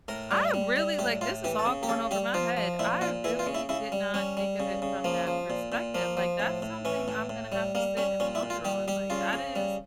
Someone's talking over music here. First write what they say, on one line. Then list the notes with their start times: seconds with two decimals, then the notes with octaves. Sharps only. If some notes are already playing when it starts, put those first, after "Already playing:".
I really like, this is all going over my head, I really did not think of it from that perspective, like, that's something I'm gonna have to sit and ponder on, like, that is
0.08 A2 A#4
0.31 G3
0.54 G3
0.76 G3
0.99 A2 G4
1.21 A2 F4
1.44 E3 G4
1.59 A4
1.66 C#3
1.83 G4
1.89 C#3 A4
2.11 G3 G4
2.34 F3 F4
2.57 F3
2.79 A#2 E4
3.01 A#2 F4
3.24 E3 E4
3.39 F4
3.47 C#3
3.55 E4
3.69 C#3 E4
3.92 G3
4.14 G3 C#4
4.37 G3
4.60 C#3
4.82 C#3
5.04 F3 A#3
5.27 F3
5.50 A#2
5.72 A#2
5.94 F3 A#3
6.17 F3
6.40 A2
6.62 A2
6.85 E3 C#4
7.08 A2
7.29 A2
7.52 G3
7.75 G3 A#3
7.97 G3 C#4
8.20 A#2 C#4
8.35 E4
8.43 A#2
8.50 F4
8.65 G3 G4
8.88 G3 G4
9.10 C#3 F4
9.33 C#3
9.56 G3